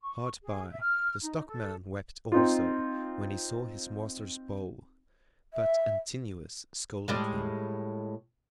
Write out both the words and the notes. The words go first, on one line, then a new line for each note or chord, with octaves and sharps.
Hard by, the stockman wept also when he saw his master's bow, but Antinous scolded them.
C#6
G#4
E5
F6
D#4
A4
C4 D#4 F4
E5
A2 G3 G#3